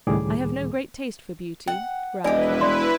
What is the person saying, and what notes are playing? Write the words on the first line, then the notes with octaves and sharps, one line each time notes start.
'I have no great taste for beauty,' growled Ralph.
C#2 A2 D#3 G3 G#4 D6
F#5 G5
E1 E4 G4 B4 D5 D#5 G#5
D5 C6